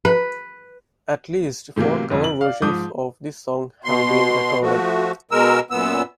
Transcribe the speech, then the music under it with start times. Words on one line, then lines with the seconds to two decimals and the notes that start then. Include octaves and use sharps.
At least four cover versions of this song have been recorded.
0.05 B4
1.76 A2 C3 E3 F#3 A#3
2.10 F1 F2 D3 F3
2.24 F#7
2.41 D5 F5
2.62 G#2 F3 D6 D#6 G6
3.84 B2 C6
4.62 F3 A3 F#4
5.31 B2 G#3 A#4 E6
5.71 F#2 A#2 B3 E6